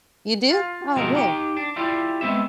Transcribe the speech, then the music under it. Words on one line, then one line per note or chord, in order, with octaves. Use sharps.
You do? Oh, good.
F4
B2 F3 G#3 C4 F#4 A#4
D#4 G4 G5
D4
E4 F4 G4 D5
G#3 B3 C4 E5